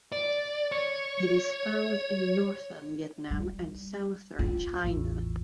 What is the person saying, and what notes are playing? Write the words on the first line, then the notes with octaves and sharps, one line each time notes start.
It is found in northern Vietnam and southern China.
D5
C#5
G3
F4
A1 E2 A2